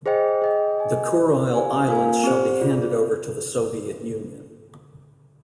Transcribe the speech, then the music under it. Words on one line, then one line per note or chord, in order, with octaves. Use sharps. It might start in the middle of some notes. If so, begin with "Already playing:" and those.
The Kurile Islands shall be handed over to the Soviet Union.
G#4 C5 D#5 G5
G#4 D#5 G5
G#4 D#5 G#5
D4 G4 C5
G4 C5 F5 G#5
A#3 F4 A#4 F5 G#5
C4 G4 C5
F4 G#4 D5